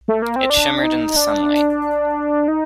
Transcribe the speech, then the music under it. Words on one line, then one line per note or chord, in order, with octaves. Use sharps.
It shimmered in the sunlight.
A3
A#3
C4
D4
D#4
D4
D#4